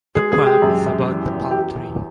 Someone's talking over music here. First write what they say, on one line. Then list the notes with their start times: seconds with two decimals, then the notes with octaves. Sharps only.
The poem is about the palm tree.
0.15 G#3 G#4
0.32 G#4
0.38 G#3
0.46 G4
0.62 F#2
0.86 F#2
1.10 E2
1.32 E2
1.51 G4